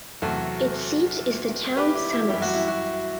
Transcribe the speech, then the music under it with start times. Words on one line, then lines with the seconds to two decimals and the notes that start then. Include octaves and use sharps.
Its seat is the town Samos.
0.22 E2 C3 F#3 A3 F#4 A4
1.77 G4 B4
1.94 E4 G4
2.12 E4
2.29 F#2 E3 G3 E4 G4
2.42 F#4
2.54 E4
2.68 F#4